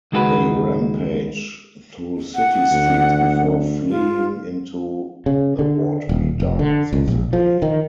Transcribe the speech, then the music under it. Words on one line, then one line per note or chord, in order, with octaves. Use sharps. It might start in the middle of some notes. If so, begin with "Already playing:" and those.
They rampage through city streets before fleeing into the watery darkness of the bay.
C#2 D#3 G#3 F#4 G4 B4
F#5
D2
F4
C#3
D3
D#1
F1
D3
C#2
A#1
F3
D#3